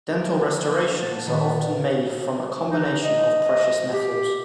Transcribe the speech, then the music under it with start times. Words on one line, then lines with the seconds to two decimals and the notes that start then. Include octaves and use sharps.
Dental restorations are often made from a combination of precious metals.
0.13 F3 A#3
1.02 F#5 A5 A6 E7
1.26 A#2 D#3 B4
2.71 D#4
3.04 D#5
3.93 G4